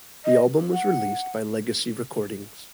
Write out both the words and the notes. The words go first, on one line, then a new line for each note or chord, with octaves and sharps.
The album was released by Legacy Recordings.
D#5
F#5